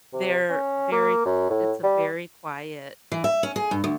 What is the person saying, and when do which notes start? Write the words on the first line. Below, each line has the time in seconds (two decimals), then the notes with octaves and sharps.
they're very it's a very quiet,
0.13 C3
0.49 C#4
0.92 A#3
1.26 F#2
1.50 A2
1.83 G3
3.12 E3
3.24 E5
3.43 C#4
3.56 G#4
3.71 G2
3.84 D2